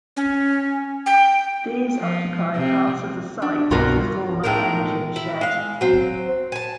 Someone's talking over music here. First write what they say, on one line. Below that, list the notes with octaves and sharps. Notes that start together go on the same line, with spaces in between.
These occupy part of the site of the former engine shed.
C#4
G5
F3
C3
D4
C2 G2 B2 F4 F#4 A#4
A2 G#3 D#4 A#4
E4
G#3 F5
F#3 C4
G#5 A5